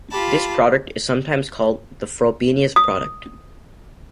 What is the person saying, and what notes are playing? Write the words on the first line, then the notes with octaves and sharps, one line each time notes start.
This product is sometimes called the "Frobenius product".
F4 G4 A5 B5
D#6